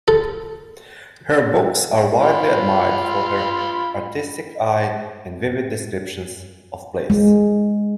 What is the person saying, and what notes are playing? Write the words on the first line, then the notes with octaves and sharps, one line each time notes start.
Her books are widely admired for her artistic eye and vivid descriptions of place.
A4
F4 B5
G#3